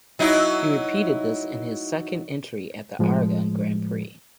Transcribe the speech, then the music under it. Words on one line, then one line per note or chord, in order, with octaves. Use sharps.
He repeated this in his second entry at the Aragon grand prix.
F#3 D#4 E4
A2 F3 G#3